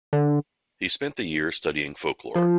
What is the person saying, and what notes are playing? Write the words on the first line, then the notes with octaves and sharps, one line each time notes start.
He spent the year studying folklore.
D3
F3